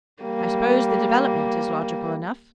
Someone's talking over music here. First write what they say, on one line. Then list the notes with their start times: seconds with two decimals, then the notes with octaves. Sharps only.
I suppose the development is logical enough.
0.23 G3 A#3